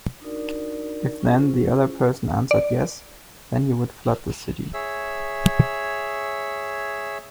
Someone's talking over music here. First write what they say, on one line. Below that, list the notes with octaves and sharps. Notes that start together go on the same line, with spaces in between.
If then the other person answered "yes", then he would flood the city.
D4 D#4 F#4 A#4 D5
C#4 E4 F4 G#4 C5
D5
G#4 C#5 E5 E6